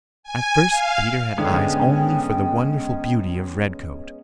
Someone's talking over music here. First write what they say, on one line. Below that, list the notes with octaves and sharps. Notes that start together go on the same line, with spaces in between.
At first Peter had eyes only for the wonderful beauty of Redcoat.
G#5
F5
G#2 D3 G#3 B3 C#4 G5